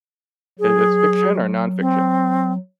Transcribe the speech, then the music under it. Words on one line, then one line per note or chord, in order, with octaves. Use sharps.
Is this fiction or nonfiction?
F#3 G#4
C4